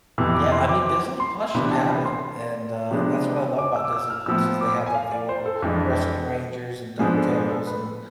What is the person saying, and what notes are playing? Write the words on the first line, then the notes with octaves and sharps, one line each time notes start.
Yeah, I mean, Disney Plus should have it, and, uh, that's what I love about Disney Plus is they have, like, the old Rescue Rangers and Duck Tales and
F2 C3 E3 B3 E6
D6
C6
D6
D6
C6
C3 E3 B3 D4 B5
A5
B5
C6
C3 F3 G#3 B3 D4
D6
E6
D6
E6
F6
A2 F3 B3 E6
D6
G#5
F5
D5
C5
A4
F2 E3 G#3 D4
G#2 F3 B3 D4 G#4
A4
G#4
A4
B4